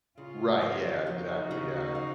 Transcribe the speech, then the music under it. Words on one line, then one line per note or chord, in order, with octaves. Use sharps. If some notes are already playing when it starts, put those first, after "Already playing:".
Right, yeah, exactly, yeah.
C#3 C#4 F4
A#3
F3 D#4 F#4
C#3
A#3